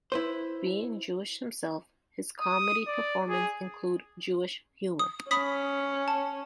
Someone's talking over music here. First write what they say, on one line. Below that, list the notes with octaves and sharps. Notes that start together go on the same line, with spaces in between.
Being Jewish himself, his comedy performances include Jewish humour.
E4 B4 C5
D#6
D5
G#4
D#6
C#4 B5 D#6 B6
A5